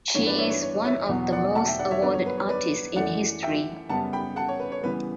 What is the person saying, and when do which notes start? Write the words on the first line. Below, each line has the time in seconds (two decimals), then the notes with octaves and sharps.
She is one of the most awarded artist in history.
0.15 G2 E3 B3 C#5
0.27 B4 D5
0.38 C#5 E5
0.50 C#5
0.62 C#5
0.85 C#5 E5
1.09 E2 B2 F#3 B3
1.32 D5 F#5
1.55 F#5 A5
1.67 E5 G5
1.79 D5 F#5
1.91 C#5 E5
2.02 G2 D3 F#3 B3 B4 D5
2.14 C#5
2.26 B4
2.38 C#5
2.49 B4 D5
2.96 F#2 E3 A3 D5 F#5
3.43 E5 G5
3.89 F#2 C#3 G3 B3 F#5 A5
4.13 G5 B5
4.36 F#5 A5
4.48 C#5
4.60 B4
4.72 C#5
4.83 C#3 E3 G3 B3 B4